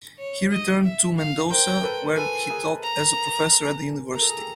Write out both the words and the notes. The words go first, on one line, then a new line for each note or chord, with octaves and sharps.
He returned to Mendoza, where he taught as a professor at the university.
C#5
D#5
E5
F5
A#4 C5 G5
A4 B4
A4 B4 G#5
G#4 A#4
A#5
A#4 A#5
A4
G#4
G4 A4